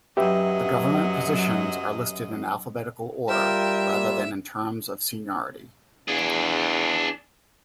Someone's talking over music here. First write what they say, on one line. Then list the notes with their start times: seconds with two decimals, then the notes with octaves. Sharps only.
The government positions are listed in alphabetical order, rather than in terms of seniority.
0.17 F#2 F#3 G4 B4 D#5 E5
3.29 G3 F4 A#4 E5 G5
3.92 A#3 F4
6.08 E2 D4 G#4